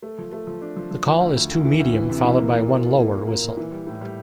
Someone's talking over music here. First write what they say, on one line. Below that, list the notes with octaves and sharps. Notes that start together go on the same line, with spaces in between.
The call is two medium followed by one lower whistle.
A3
F3
A3
F3
D4
F3
F3
F3
D2
D2
D2
E3
D2
E3
C3
E3
A#3
A#2
F4
F4
A#3
F4
A#3
A#2
E3
G3
A2
G3